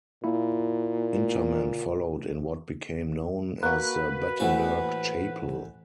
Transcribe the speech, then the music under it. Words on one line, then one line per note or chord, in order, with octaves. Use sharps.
Interment followed in what became known as the Battenberg Chapel.
A#2 A#3 E4
A#3 F#4 B4 F#6
A1 E3 C5 F#5 C#6